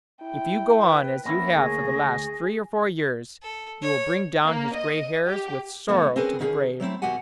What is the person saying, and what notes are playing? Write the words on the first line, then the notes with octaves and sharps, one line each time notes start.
If you go on as you have for the last three or four years, you will bring down his gray hairs with sorrow to the grave.
E4 G5
B4
A#3 B3 C#4 E4 A#6
D2 G#4 C#5
A4
C#5
A#3
D#5
G4
B2 D3 F3 A3 B3
C4 C#4 G#4 A#4 B4
D3 D#3 C#4 F#4 G#4
F#3 A3 C4 E4
D#2 B2 F#4 G4 F#5 G#5